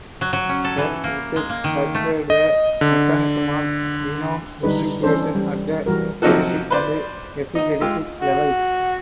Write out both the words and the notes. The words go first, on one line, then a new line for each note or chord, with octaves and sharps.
Her research considered the mechanisms of genome replication at the genetic and epigenetic levels.
F#3
F#3
C#4
A4
E3
A#3
G#3
A#3
D#3
A3
D#5
D3
D3 G3 D4 D#4 B4
E3 C#4 D4 A4 C5
G3
E3 G3 F#4 A#4
C3 F3 F#3 D#4 F#4 A4
B4 C5 D5
D#4 D#5
G#3 F4 G4 E6
F#4